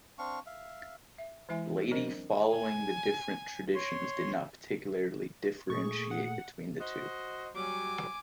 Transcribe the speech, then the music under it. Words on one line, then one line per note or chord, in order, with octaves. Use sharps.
Laity following the different traditions did not particularly differentiate between the two.
C4 D4 F5 C#6
E5 F5
E5
E3 G#3 E4 E5 G#5
F#3 C4 D4 A#4 C5 D#5
G#5
C#5 C6
A#2 A3 G#4 C#6
F#5
F#4 C5 D#5
F#3 G3 G#5 D6